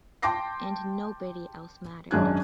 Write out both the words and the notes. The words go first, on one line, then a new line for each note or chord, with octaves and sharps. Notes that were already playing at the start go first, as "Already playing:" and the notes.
And nobody else mattered.
G5 A5 C6 D6 A#6 C7
G#1 F#2 G#3 D4 F#6 G#6